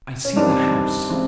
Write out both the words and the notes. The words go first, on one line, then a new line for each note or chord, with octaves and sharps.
I see the house.
C#4
G2 D#3 G3 C4 D4 D#4
C#3 E3 G#3 C4